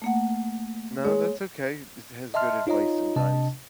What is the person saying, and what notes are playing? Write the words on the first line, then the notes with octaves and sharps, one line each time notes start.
No, that's okay. This has good advice sometimes.
A3 A#3 F#5
G#3 C#5
D#5 E5 A5 C6 F6
D#4 F4 C#5 D#5 A#5
C3 D4 D#5 A5